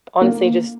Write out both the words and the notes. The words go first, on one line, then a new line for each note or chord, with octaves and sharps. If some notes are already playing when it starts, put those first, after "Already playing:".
honestly, just
A#3